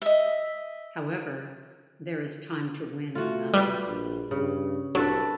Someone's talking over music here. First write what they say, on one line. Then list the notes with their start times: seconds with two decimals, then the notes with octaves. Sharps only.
However, there is time to win another.
0.02 D#5 E5
3.15 A3 F4 F#4
3.54 G3 B4
3.87 A#1
4.31 G2 C#3
4.95 C2 F#3 D4 A4 B4